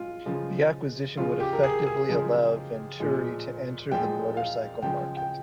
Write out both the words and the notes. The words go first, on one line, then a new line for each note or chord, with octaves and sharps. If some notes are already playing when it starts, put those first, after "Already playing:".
The acquisition would effectively allow Venturi to enter the motorcycle market.
Already playing: G#3 F4
C#3 F3 G#3
C#3 F3 G#3 F4
G4
A#4
G#4
G#4
C#3 F3 G#3
A#2 F3 G#3
A#2 F3 G#3 G5
F5
C#3 F3 G#3 G5
G5